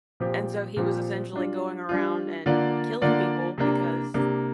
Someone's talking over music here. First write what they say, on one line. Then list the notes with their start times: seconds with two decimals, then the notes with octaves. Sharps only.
and so he was essentially going around and killing people because
0.20 A#2 F3 C4 G4
0.76 A#2 F3 C4 G4
1.33 G3 D4 F4
1.89 G3 D4 F4
2.46 D3 A#3 F4 D5
3.02 D3 A#3 F4 D5
3.58 C3 A#3 D4
4.14 C3 A#3 D4